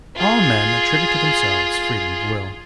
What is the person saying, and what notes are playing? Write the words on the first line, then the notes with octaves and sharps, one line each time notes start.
All men attribute to themselves freedom of will.
F4 G#4